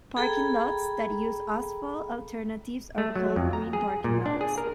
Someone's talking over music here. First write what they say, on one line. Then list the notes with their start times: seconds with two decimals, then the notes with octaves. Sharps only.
Parking lots that use asphalt alternatives are called green parking lots.
0.17 G#4 A4 G5 A#5 B5
2.98 A3
3.16 F#3
3.36 F2
3.53 A#5
3.73 G#4
4.04 A#2
4.26 D4
4.41 G#4
4.58 A#4